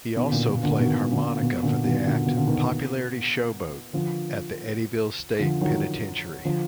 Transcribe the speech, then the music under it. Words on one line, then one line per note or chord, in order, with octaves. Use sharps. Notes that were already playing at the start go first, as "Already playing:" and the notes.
He also played harmonica for the act "Popularity Showboat" at the Eddyville State Penitentiary.
B2 D#3
A#2 D3
B2
A#2 D3
B2 D#3
A#2 D3
B2
A#2 D3
B2 D#3
A#2 D3
B2
D3
B2 D#3
D3 F3
D3 F3
D#3 F#3
D3 F3